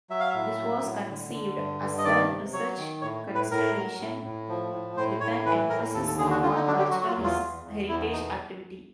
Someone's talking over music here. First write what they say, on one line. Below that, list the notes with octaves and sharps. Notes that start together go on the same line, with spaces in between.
This was conceived as a research constellation with an emphasis upon cultural heritage activity.
F#3 E5
F5
A2 E5
F#3
A2
D3
D3
G2
G2
D#5
D#3 D5
C3
F#3 C#5
D#3
A2 C#5
A2
B4
A2 A#4
F#3
A2
A2
F3
A2
A2 C5
A2 C#5
E3 B4
A2 A#4
D#2 A4
A4
D3 G#4
F#4
D3 F4
D#4
F#3 D4
G4
F#3 F#4
F#4
F4
E2
F4
E2
E2
E2 E4
B2 D#4